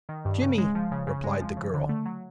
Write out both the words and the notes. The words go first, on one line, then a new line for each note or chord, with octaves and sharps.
"Jimmy," replied the girl.
D#3
G2
C#3
G#3
F3
C#3
C#3
G#3
F3
C#3
D3
A3
F#3